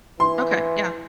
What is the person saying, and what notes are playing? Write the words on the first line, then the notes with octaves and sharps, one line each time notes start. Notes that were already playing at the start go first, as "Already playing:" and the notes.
Okay. Yeah.
E3 C6